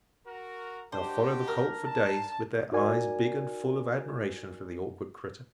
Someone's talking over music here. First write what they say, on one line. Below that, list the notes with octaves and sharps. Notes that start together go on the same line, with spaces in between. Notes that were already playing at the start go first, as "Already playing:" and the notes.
They'll follow the colt for days, with their eyes big and full of admiration for the awkward critter.
F#4 A#4
G#3 D4 F#4 G4 C5
A#4
A5
D#4 F#4 A#4 D5 G#5